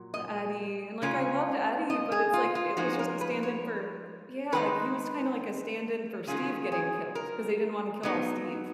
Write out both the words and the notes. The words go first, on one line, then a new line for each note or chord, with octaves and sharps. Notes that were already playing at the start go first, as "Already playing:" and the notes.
The Eddie, and like, I loved Eddie, but it's like, it was just a stand in for yeah, like, he was kinda like a stand in for Steve getting killed 'cause they didn't wanna kill off Steve.
Already playing: A#2 F#3
D#5
C#3 G#3 C#4 F4
D#5
G#4
F4
F4
F3 G#3 D#4 F#4
A#4
B4
C#5
D#3 G#3 D#4 B4
D#3 F#3 C#4 F4 G#4
G#4
A#4
F#3 B3 D#4